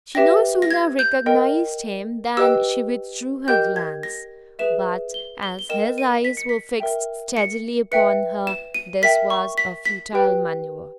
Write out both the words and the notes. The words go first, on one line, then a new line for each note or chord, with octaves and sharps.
She no sooner recognized him than she withdrew her glance; but as his eyes were fixed steadily upon her this was a futile manoeuvre.
G4 B4 E5 G5 A#6
A#6
G#6
G6
A#4 D#5 G5
G4 B4 D#5 G5 E6
G4 A#4 D#5 G5 G6
G#6
A#6
G#4 B4 E5 E7
G7
G7
G7
A#4 D#5 G5 E7
D#7
B6
C#7
B6
A#4 E5 G5
C#7
B4 E5 G5 C#7
E7
D#7
A#4 E5 G5 B6
C#6
B6
B6
G4 B4 G5